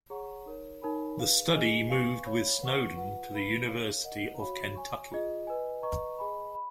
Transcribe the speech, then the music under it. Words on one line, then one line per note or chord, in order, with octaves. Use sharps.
The study moved with Snowdon to the University of Kentucky.
G#4 C#5 F#5 A#5 C#6
D#4 A#4 C#5
D#4 A#4 C#5 G#5 B5
G#4 B4 F5
D#4 G#4 D#5 G#5
B4 F5 G#5 C#6
C#5 F5 B5
B4 F#5 C#6
F4 B4 F#5
B4 F5 B5
A#4 C#5 F5
A#4 D#5 F#5
F#4 C#5 F5 B5
C#5 G#5 C#6
F4 G#4 D#5
B4 D#5 G#5
B4 D#5 A#5 C#6
G#4 D#5 G#5 B5
B5